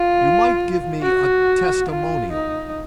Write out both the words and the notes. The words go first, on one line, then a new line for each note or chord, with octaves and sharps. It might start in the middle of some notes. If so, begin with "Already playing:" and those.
"You might give me a testimonial."
Already playing: F4
F#4
F4
D#4